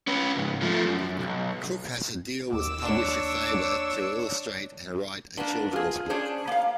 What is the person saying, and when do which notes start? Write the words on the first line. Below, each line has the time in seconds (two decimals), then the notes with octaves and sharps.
Crook has a deal with publisher Faber to illustrate and write a children's book.
0.07 C#4 B4
0.37 C#2 G#2
0.62 F3 A3
0.86 F#2
1.19 B1
2.53 D#2 D6 E6
2.82 D4 C#5
5.37 A#3 B3 D4
5.73 F4 G#4
6.10 C#4 D4 G#4 C5
6.47 A#3 F5